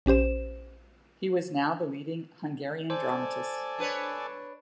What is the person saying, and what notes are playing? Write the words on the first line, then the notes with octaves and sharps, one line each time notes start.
He was now the leading Hungarian dramatist.
A#1 C#4 G4 C5 E7
A4 C5 D5 G#5
D4 B4 C#5